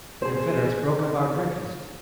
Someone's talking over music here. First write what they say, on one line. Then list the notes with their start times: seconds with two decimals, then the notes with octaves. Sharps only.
The Confederates broke up our breakfast.
0.22 G#4 C5